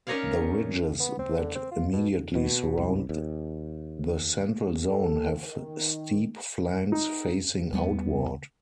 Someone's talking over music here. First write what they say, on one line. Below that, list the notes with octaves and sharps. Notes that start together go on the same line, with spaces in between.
The ridges that immediately surround the central zone have steep flanks facing outward.
C#4 D#4 A#4 C#5 D5 F5
B3
C4
D3
C4
F4
B2
B2
C2
D#2
A4
D#3
D#4
E2 G3 A3 B3